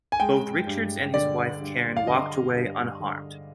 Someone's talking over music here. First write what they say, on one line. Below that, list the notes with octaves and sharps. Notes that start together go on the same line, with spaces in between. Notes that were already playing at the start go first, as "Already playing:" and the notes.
Both Richards and his wife Karen walked away unharmed.
G#5
G#3 G5
G2
D3 D5
G2
F5
D3 D#5
G2
D3